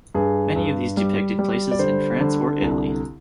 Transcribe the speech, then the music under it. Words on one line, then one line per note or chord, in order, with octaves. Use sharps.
Many of these depicted places in France or Italy.
G2 G#4
G2
G3
G3
D5
D3 C5
D3
C2